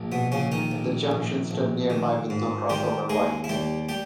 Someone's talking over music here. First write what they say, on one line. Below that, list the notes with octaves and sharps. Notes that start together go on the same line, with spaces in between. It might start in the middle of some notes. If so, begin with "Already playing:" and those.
The junction stood nearby with no crossover points.
Already playing: A#1
B2 B3
A#1 C#3 C#4
D#3 D#4
A#1
A#1
A#1
D#3
G#2
D#3 G3 G4
D#2 G#3 G#4
E4
D#2 G3 G4
G3 G4